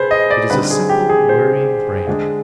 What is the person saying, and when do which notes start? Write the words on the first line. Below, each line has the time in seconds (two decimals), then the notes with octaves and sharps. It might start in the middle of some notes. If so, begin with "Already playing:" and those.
It is a simple, worrying brain.
Already playing: C3 G#4 B4 C5
0.11 D#5
0.30 D5
0.50 D3 G3 C4 D#4 B4
0.70 G#4
0.89 G4
1.09 G#4
1.29 C5
2.07 D3 G#3 D4